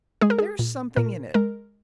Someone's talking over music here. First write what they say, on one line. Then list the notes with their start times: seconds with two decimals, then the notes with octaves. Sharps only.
There's something in it.
0.21 G#3 G#4
0.30 A#4
0.39 G#4
0.59 A#2
0.96 A#2 A#4
1.34 G#3 A#4